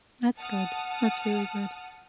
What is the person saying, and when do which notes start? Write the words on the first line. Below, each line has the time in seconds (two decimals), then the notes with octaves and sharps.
That's good. That's really good.
0.37 F#5 A5 D#6 F6